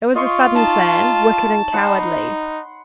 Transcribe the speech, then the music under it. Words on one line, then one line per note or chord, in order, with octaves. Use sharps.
It was a sudden plan, wicked and cowardly.
F4 D#5 C6 C#6
D#4 A5
D#4 F#5 B5 C6